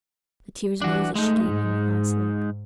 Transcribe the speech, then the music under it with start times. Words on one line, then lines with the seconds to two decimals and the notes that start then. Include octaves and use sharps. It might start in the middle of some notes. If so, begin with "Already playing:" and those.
The tears rose as she gave him the last look.
0.82 E3 D4 F#4
1.16 G#3 A3 D#4
1.46 G#2